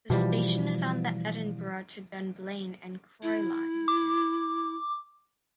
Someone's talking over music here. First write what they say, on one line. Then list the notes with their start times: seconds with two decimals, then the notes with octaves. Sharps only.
The station is on the Edinburgh to Dunblane and Croy Lines.
0.10 B2 E3 F3 G3
3.23 E4
3.88 D6